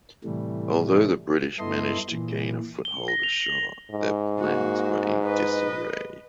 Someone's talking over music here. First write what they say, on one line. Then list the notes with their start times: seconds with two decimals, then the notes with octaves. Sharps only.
Although the British managed to gain a foothold ashore, their plans were in disarray.
0.24 A2 C3 E3 G3 A3
1.59 G2 B3 E4 A4 D#5 C6
2.09 A#2 E3
2.85 G7
3.08 A#6
3.23 F7
3.40 F#7
3.91 G#2
4.40 A#3 F#4
5.24 B4 D#5